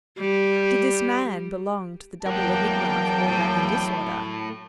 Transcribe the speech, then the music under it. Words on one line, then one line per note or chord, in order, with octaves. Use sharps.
Did this man belong to the double enigma of order and disorder?
G3
E2 F#3 A#3 A#4 F#5 G5 A5
A2